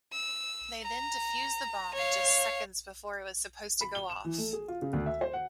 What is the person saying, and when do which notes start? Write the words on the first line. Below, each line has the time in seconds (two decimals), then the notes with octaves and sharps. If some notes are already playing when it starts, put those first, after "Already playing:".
They then defuse the bomb just seconds before it was supposed to go off.
0.13 E6
0.82 A#5
1.94 C#5 F5
3.81 B5
3.95 G7
4.10 E7
4.25 E3
4.38 A3
4.53 G#4
4.68 F4
4.82 C#3
4.93 D2
5.06 E5
5.21 C5
5.33 F#5